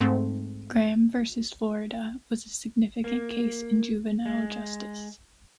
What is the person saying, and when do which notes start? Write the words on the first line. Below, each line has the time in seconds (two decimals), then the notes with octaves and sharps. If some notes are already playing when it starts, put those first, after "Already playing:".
"Graham versus Florida" was a significant case in juvenile justice.
0.01 G#2 A3 C4
3.04 A#3
4.26 G#3